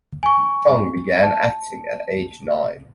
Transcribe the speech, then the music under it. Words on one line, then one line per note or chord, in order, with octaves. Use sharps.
Chong began acting at age nine.
G#5 C#6
A5